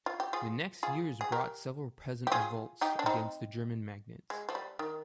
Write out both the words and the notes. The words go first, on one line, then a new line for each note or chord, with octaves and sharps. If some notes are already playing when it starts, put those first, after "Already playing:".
The next years brought several peasant revolts against the German magnates.
F4
G4
F4 G#4
F4 G#4
G#4
G4 A#4
G4
F4 G#4
D#4 G4
D4
C4 D#4
G#3
F3
G3
D#3